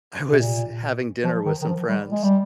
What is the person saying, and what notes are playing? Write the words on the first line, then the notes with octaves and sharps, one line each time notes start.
I was having dinner with some friends,
C3
A#2
F3
D#3
D#3
F3
G3
G#3
G3